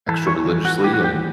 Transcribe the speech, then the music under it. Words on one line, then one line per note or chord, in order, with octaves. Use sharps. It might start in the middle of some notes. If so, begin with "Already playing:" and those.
extra religiously and,
E3 A4
C#5
E3
F#4
E3 G4
F#4
G4